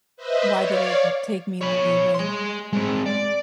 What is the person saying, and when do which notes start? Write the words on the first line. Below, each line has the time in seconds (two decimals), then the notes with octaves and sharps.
why did it t take me leaving
0.16 B4 C5 D#5 E5
0.53 C#5 D5 F5
1.62 C#5 B5
2.14 G#4 C6
2.73 G#3 C4
3.06 D5